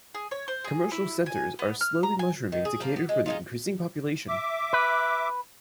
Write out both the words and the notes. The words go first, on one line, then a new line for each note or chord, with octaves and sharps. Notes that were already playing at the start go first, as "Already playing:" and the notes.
Commercial centres are slowly mushrooming to cater for the increasing population.
G#4
C#5
C5
G#4
E4
G#5
B3
F6
A#5
G#5
D#3
G#4
F3 A#3
B3
G#3
G#3 D#4 F4
E5 D6
B4